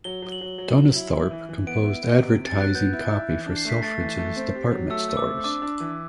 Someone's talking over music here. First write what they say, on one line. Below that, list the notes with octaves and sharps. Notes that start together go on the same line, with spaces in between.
Donisthorpe composed advertising copy for Selfridges department stores.
F#3 G7
F#3
F#7
F#3
F#3
F#3
E4
E4
E3
E3
B3 D7
E4
B3
C3
C3
A6
F#3 F#6
B3 G6
E4
E4
E3
D4
C7
A3 B6
A3 A6
E3
A3
C4
G4
F#3
A3 E6
A3 E6
D6
C4
D4 D6
D4
E3